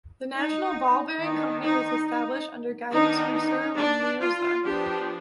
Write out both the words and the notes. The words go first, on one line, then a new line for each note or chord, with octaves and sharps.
The National Ball- bearing company was established under guidance from Sir Mirza.
D#4
D#3 B3 D4 D#4
D#4
D#4
D#3 B3 D4 D#4
D#4
D4
F4
F3 B3 D4 G4